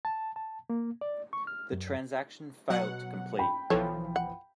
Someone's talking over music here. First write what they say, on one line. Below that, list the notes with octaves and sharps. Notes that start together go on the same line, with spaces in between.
The transaction failed to complete.
A5
A5
A#3
D5
C#6
F6
F#2
B2 F#3 F#5
G5 B5
B1 E3 F3 A4 C#5
F#5